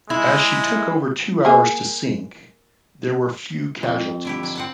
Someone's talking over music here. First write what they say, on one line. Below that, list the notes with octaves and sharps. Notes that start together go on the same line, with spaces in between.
As she took over two hours to sink, there were few casualties.
G#3 E4
A#3 G#4
F2
D3 E4 G4
F#3
C4 F#5 A5